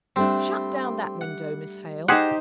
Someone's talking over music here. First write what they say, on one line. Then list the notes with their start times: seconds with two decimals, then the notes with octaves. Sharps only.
Shut down that window, Miss Hale.'
0.16 G3 A3 C4 D4
1.21 F#5
2.08 D#4 G4 G#4 C5 F#5